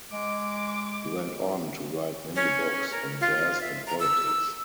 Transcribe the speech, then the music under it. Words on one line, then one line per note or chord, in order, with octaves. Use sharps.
He went on to write many books on jazz and politics.
G#3 D6
C#4
A#4
F4
E5
A#5
E6